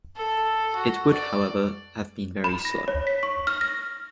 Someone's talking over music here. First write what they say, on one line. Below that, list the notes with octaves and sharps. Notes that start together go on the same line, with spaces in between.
It would, however, have been very slow.
A4
F#4
D5
B5
A#6
C#5
B6
C#6
F6
A#6